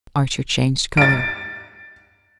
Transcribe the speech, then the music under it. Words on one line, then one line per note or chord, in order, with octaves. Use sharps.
Archer changed colour.
A6 D7